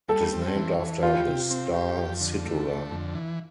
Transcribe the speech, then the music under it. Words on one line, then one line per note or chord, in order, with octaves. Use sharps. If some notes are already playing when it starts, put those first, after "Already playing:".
It is named after the star Situla.
G3 A4
C4
E3
E3
F4 G4
C3
C4
G4
F2
D3
A3
D3
F2
E3